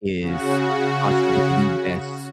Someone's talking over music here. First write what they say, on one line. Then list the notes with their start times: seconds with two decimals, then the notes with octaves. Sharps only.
is possibly the best
0.21 C#3 F#4